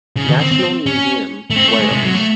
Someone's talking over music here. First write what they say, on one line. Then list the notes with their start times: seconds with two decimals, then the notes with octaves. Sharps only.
National Museum Wales.
0.16 C#3
0.28 D#3
0.40 C4
0.51 C4
0.86 C#4
1.50 A3
1.56 C4
1.68 A3
1.80 G#3
1.91 C3
2.03 F#3
2.15 A3